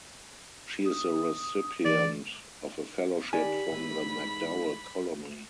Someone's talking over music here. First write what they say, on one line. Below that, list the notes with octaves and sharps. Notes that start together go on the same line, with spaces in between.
She is the recipient of a fellowship from the MacDowell Colony.
D#6
E3 D5
D#3 G4 D5 G#5 B5
G#2 E3